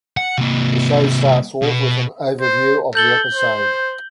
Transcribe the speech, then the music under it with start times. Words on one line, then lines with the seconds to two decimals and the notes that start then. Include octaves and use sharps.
The show starts off with an overview of the episode.
0.17 F#5
0.38 C3 A#3
1.62 B2
2.41 C5
2.95 A4 G6 F#7 G7
3.35 C5